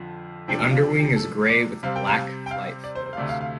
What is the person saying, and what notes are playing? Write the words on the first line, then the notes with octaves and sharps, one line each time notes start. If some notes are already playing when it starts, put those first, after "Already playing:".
The underwing is grey with black flight feathers.
Already playing: F2 D3 F3
C3 F3 D4 G5
G5
F5
G4
G4
A4
D5
C3 G3 C4 F5
G5
F5
G5
F5
D5
C5
C5
F5
D2 C3 A3 D5
F5
F5